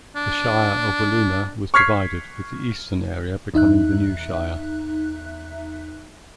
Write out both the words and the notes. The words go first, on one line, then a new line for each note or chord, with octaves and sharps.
The Shire of Wiluna was divided with the eastern area becoming the new Shire.
D4
C#6 F6 G#6 B6 C7
E2 D#4 E5 F#6